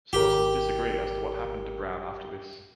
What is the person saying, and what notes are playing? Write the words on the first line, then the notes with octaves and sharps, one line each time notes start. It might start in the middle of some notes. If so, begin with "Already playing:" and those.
Sources disagree as to what happened to Brown after this.
G#1 G4 A#4